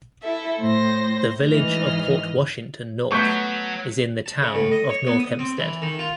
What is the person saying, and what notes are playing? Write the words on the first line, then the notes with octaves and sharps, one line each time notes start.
The Village of Port Washington North is in the Town of North Hempstead.
E4 A4 E5
A2 C5 A#6
G#2 E3 D#5 F6
F#3 A3 B3 C#6 G6 B6
A5
C#3
A2
D#5
C#5
B3
D#6
C4
E3
D#3
F4